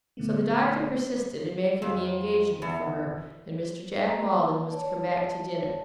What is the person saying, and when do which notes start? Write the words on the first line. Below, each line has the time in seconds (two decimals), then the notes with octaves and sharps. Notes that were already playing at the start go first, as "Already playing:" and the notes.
So the Doctor persisted in making the engagement for her, and Mr. Jack Maldon was to come back to dinner.
0.17 A#2 D3 A3 B3
1.82 F2
2.62 E2
4.06 A#3 A#5
4.69 C#5 D5 A5